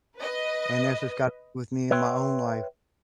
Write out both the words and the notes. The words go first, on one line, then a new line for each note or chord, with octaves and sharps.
and that's just got with me in my own life.
B4 D#5
B4 C#5 E5 G5 C6